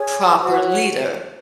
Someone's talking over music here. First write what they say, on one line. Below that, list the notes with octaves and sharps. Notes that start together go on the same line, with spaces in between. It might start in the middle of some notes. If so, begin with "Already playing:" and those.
proper leader
Already playing: G#4 C#5
F#4 C5
C#5
C#5